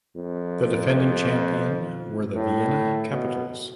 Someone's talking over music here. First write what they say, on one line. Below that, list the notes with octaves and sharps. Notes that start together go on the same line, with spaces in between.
The defending champion were the Vienna Capitals.
F2
A2
B2